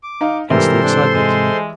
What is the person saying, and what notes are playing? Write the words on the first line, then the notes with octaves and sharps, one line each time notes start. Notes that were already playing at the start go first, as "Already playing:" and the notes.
Hence the excitement.
D6
D#4 F5
G#2 C3 E3 G3 A4 A#4 C5 C6
D4
G#3